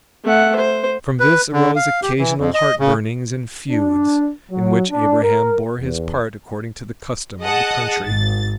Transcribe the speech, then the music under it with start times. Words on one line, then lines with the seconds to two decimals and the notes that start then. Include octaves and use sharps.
From this arose occasional heart- burnings and feuds, in which Abraham bore his part according to the custom of the country.
0.25 A3 F#5
0.56 C5
1.20 B4
1.53 D3
1.76 F5
2.03 G4
2.19 E3
2.38 F2
2.54 D#5
2.79 C#3
3.70 D4
4.51 F#3
4.90 D4
5.22 A#4
5.80 E2
7.41 G#4 D#5 F#5 A5 D#6
8.04 G#1 A6